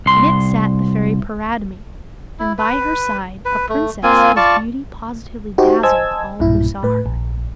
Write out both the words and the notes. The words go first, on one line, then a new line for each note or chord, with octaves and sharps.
In it sat the Fairy Paridamie, and by her side a Princess whose beauty positively dazzled all who saw her.
C2 C6
E4
B4
B4
A3
A#3 C4 F4 G#5
F4 D5 A5 C#6
D#4 F#4 G4 C5
C5 D#5 G#5 A5 E6 G#6
B1 G2 A#2 E4
A2 B4
A#1